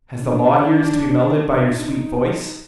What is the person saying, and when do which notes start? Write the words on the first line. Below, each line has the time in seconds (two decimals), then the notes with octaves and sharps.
Has the law ears to be melted by your sweet voice?
0.23 D4
1.72 D#4